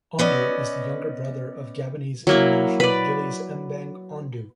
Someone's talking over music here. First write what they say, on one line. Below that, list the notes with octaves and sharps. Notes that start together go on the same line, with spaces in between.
Ondo is the younger brother of Gabonese international Gilles Mbang Ondo.
B3 C#4 D5 D#5
F#3 A#3 E4
B4 D5